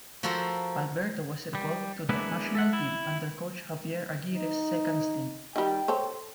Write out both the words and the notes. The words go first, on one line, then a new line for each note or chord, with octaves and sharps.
Alberto was recalled to the national team under coach Javier Aguirre's second stint.
F3 F#4 A4 A#4 C5
G3
G#3 A#3 B3 D4 E4 B4
A4 E5 F#5
E4
D#4
D#3 G3 G5
A4 C5 C#5